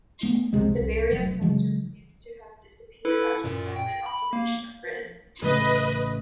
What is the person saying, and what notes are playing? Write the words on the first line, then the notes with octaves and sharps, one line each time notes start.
The burial custom seems to have disappeared after the Roman occupation of Britain.
A3 B3
C2 F2 C3 G#3
C2
F1 F#3
C#3 E3 F#3 G#3
E4 A4 B4
F#2 A#2
G5
B5
A#3
A1 C#3 A3 B4 D#5